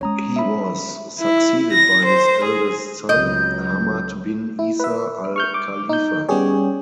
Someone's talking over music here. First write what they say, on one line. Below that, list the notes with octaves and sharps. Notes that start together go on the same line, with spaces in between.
He was succeeded by his eldest son, Hamad bin Isa Al Khalifa.
G#3 C#4 C#5 A#5 D#6
E5 B5
E4
A#6
C5
G#4
C#2 F#3 D#5 G6
E4
B4 E5
C#6 F6 G6
D6
D#4 G6
G3 B3 C#4 G4 G#4 C#5